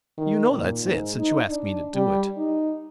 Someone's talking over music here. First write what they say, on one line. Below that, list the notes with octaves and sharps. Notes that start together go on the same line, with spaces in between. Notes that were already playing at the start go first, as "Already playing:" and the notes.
You know that's it, since you ask me to do it.
D#3
A#2
G#2
D#4
D4
G3
D#4